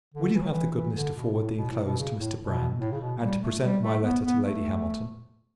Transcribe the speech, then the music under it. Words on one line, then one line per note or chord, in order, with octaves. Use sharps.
Will you have the goodness to forward the inclosed to Mr. Brand, and to present my letter to Lady Hamilton?
D3
E3
F#3
E3
E3
D3
B2
A2
B2
A2
B2
C#3
A2
B2
A2
C#3
B2
G3
A3
G3
A3
B3
B3
A3